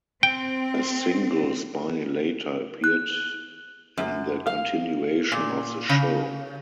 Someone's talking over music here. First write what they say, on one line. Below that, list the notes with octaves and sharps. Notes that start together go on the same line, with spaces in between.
A single Spiny later appeared in the continuation of the show.
C4 G5
F#6
F#2
F5
A#2
C#3